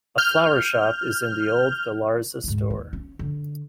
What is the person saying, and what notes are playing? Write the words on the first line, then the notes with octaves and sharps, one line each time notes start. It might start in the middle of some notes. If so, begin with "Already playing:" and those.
A flower shop is in the old Galarza store.
F6 G6
D2 G#2
D#2
C#4
D3